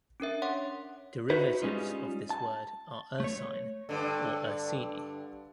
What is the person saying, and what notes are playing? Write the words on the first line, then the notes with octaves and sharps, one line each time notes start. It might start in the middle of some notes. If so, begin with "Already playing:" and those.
Derivatives of this word are ursine or Ursini.
C#4 D4 A#4 E5
C#5 F#5 C6 D6
D#4 E4 F#4 B4 C5
G3 G#3 C#4 D#4 F4
A5
A3 C#5
G2 D3